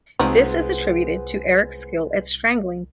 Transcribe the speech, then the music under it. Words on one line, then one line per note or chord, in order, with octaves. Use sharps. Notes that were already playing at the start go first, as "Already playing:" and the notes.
This is attributed to Erik's skill at strangling.
C2 F3 G#3 B3 C4 D#4 F#4